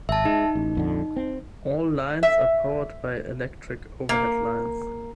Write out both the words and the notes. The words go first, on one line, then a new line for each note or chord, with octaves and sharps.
All lines are powered by electric overhead lines.
G#1 E5 A5
G#3 D#4
A1
A#1 F2 D3
C4
E5
A#3